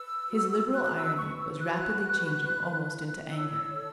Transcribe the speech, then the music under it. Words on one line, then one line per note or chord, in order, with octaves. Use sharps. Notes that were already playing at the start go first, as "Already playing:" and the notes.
His liberal irony was rapidly changing almost into anger.
Already playing: B4 E6
F#4
B4 F#6
F#6
E6
B4 C#6
E6
F#4 F#6
B4
E4
E4
C#5 E6
A4